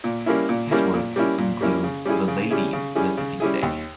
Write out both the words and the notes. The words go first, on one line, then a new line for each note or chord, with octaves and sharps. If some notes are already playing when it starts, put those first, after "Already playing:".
His works include "The Ladies Visiting Day".
A#2
G3 A#3 C#4 E4
A#2
G3 A#3 C#4 E4
A#2
G3 A#3 C#4 E4
A#2
G3 A#3 C#4 E4
C#3
G3 C#4 E4 G#4
C#3
G3 C#4 E4 G#4
C#3
G3 C#4 E4 G#4
C#3
G3 C#4 E4 G#4
D#2